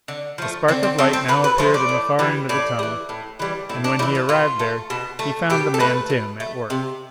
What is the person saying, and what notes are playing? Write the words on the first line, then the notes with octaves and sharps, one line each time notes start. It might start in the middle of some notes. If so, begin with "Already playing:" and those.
A spark of light now appeared in the far end of the tunnel, and when he arrived there he found the man Tim at work.
D3
F3 A3
D3 C4
C4
F3 A3 C4
C4
D3 B4
B4
F3 A3 C5
D5
A2
E3 G3
A2 D5
G3
E3
A2
E3 G3
A2 E4
D4
G3 E4
E3
F4
B2 F4
A3
B2
A3
B2 G4
A4
A3 B4
B2
A3
C3